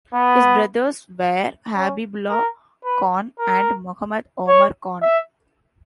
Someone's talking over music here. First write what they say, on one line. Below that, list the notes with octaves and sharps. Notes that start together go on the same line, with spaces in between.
His brothers were Habibullah Khan and Mohammed Omar Khan.
B3
C#4
A#4
B4
A#4
C#5
E5